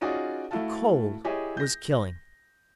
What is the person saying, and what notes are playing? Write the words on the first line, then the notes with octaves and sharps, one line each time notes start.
The cold was killing.
C#4 D#4 F4 F#4 G#4 D5
A3 E4 F#4 F5 A5
E4 G4 G#4 C#5 D#5 E5
G6 A#6